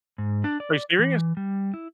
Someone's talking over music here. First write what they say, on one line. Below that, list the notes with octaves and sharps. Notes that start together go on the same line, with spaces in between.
Are you serious?
G#2
D4
D5
E3
G3
E4